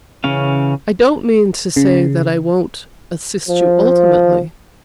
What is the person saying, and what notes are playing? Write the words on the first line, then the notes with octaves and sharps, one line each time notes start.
I don't mean to say that I won't assist you ultimately.
C#3 E3 C#4 F5
C#3
F3